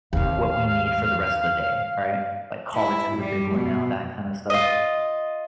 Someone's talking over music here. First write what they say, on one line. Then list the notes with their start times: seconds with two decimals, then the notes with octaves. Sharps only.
what we need for the rest of the day, right? Like collagen is a big one now, that kind of stuff.
0.13 D#2 C3 F5
2.76 E4
3.18 G3
3.55 B2
4.50 F4 D#5